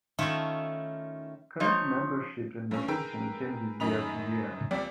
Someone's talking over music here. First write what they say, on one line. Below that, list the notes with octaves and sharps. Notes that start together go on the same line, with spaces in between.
Committee membership and location changes year-to-year.
D#3 A3 C#4 E4 F4
F3 D#4 C#5
G2 C#4
G#4 A#4 B4 G5 E6
F#2 D#3 D#5 B5 F7
C#2 G3 C4 D5